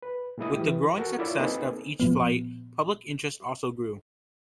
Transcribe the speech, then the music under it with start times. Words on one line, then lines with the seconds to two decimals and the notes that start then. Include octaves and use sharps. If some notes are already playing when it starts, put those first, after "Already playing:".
With the growing success of each flight, public interest also grew.
0.02 B4
0.38 A#2 G#3 E4 D#6
0.55 E3 G4
0.98 F#4 A4 A#4
1.19 E4 F4 C#5 D5 E5
1.38 A#3 C4 D#4 G#4 A4 B4
2.00 A#2 F3 B3